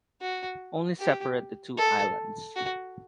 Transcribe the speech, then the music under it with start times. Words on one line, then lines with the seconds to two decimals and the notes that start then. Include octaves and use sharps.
Only separate the two islands.
0.21 F#4
0.99 G4
1.77 A4
2.56 F#4